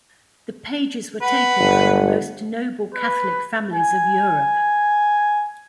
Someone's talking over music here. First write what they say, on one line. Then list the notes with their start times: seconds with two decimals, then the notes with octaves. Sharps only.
The pages were taken from the most noble Catholic families of Europe.
1.22 B4 F#5
1.60 G1
2.94 B4
3.73 G#5